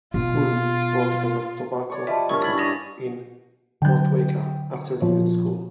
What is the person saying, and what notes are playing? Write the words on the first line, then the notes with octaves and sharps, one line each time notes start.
Hulme worked as a tobacco picker in Motueka after leaving school.
B2 F4
C#5 D5 C#6
F3 G3 D#5 E5 A5
G2 C#4 A#4 C#6
E4 B5 A6 F#7
G4 D#5 F5 D#6 A#6
D3 F#3 G5 G6
A#2 F3 C#5